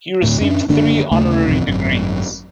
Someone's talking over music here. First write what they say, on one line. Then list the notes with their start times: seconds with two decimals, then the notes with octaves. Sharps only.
He received three honorary degrees.
0.22 D2 A2
0.40 F#2 C#4 D4
0.69 F#1 D3 A#3 D4
1.11 D#2 C#3 A3
1.46 A1 F2 C3
1.67 G#1 F#2